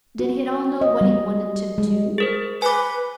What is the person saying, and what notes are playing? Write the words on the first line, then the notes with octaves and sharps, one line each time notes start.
Did he at all know what he wanted to do?
F#4
D#5
G3
G#3
G#4 A#4 C5
B4 G#5 D6